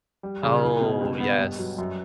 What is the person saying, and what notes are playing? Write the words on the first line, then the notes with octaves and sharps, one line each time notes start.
Oh, yes.
G3
C#3
E4
B2
C#2
B3
G2
F#3
F#2